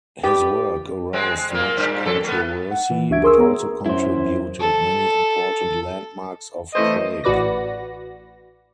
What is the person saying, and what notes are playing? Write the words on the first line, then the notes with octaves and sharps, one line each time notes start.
His work aroused much controversy, but also contributed many important landmarks of Prague.
G4 B4 D5 G5
G#3 C4
G#3
A#2 A#3
G2 A#2
F3 A4
A3 B3
F#5
E3
C#2 D4 F#4 E5 G#6 D7
G#4 A#4 C6 C#6 D#6 E6
B3 G#4 C#5 A#5
F#2 E4 C5
A4
E3 A3 C5 D#5
A1 A2 F#4 B4 D5 A#6